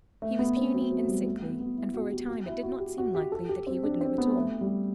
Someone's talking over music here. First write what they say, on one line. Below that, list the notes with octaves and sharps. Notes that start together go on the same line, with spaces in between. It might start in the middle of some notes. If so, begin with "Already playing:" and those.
He was puny and sickly, and for a time it did not seem likely that he would live at all.
A3
B3
C4
F#3
F#3
A3
G3
A3
B3
B3
E4
F#4
G4
F#4
E4
F#4
G4
F#4
G4
A4
G4
C4
D4
C4
B3
A3
G3